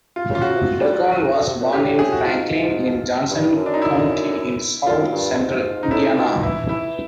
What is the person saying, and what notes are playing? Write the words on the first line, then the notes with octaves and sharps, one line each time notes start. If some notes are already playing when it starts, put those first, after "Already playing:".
Duggan was born in Franklin in Johnson County in south central Indiana.
F4
C#3
F4
C#3 F#4
C3
G3
G3
F#3
D3
C3
A#2
A2 G4
G#4
F#4
G#2 F4
G2
F#2
D4
D#4
E4
F#2 F4
G2
G#2
D#4
A2 E4
B2 F4
E3 E4
E3 E4